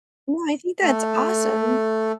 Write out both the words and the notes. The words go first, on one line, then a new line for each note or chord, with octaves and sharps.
Well, I think that's awesome.
A3 A4